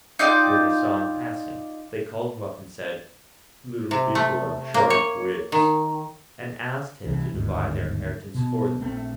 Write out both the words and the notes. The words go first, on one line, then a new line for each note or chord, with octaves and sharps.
When they saw him passing, they called him up, and said, 'Little people have sharp wits,' and asked him to divide their inheritance for them.
D#4 F4 D5 G5
C3
A3
A#3
C#5
D#3
C2 E3
G1 D#2 G#2
B2
A#1 A3 C4